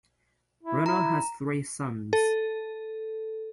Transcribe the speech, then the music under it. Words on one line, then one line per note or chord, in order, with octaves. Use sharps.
Bruno has three sons.
E4
E4 A#5
A4